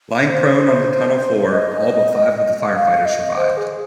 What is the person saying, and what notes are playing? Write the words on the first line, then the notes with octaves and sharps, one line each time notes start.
Lying prone on the tunnel floor, all but five of the firefighters survived.
C5
C5
D#5
F5
D#5
C5
G#4